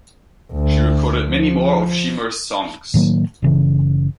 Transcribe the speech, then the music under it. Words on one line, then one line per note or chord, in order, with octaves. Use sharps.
She recorded many more of Shemer's songs.
D2
F3
A2 D#3 F#3 A#3
F#1 C#3 E3